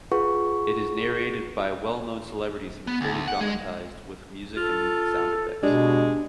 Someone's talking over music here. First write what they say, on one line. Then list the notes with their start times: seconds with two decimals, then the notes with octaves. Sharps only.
It is narrated by well-known celebrities and fully dramatized with music and sound effects.
0.12 F4 G#4 B4 F#5 C#6
2.87 B3
3.01 D2
3.27 F#5
3.41 G#3
4.57 F4 A4
5.63 B2 G#3 D4 G4 D5